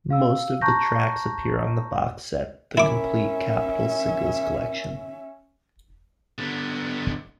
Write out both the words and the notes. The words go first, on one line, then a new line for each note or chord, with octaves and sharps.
Most of the tracks appear on the box set "The Complete Capitol Singles Collection".
F5 E6
A5 A#5 C#6 F#6 G6 A#6
C#4 E4 A#4 E5 B5 D6
D3 B3